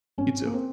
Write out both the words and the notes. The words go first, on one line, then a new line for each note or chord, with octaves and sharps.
You, too.
G#1 C#4
A#3
C4